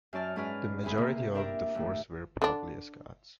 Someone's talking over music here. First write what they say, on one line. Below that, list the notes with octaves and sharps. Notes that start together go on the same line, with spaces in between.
The majority of the force were probably Scots.
F#2 C#4 D5 A5 F6
G#2 C#4 G#4 B4 D5 F6
D2 A2 C4 G#4 B5 C6
C3 A#3 E4 A#4
D4 G4 A#4 D5 E5 A#5
D#2 A2
D3 D4